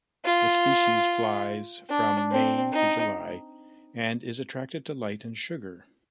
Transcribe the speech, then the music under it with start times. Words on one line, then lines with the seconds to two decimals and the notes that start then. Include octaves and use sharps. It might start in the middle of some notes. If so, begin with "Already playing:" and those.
The species flies from May to July and is attracted to light and sugar.
0.24 F4
1.90 D4
2.31 C4
2.72 D#4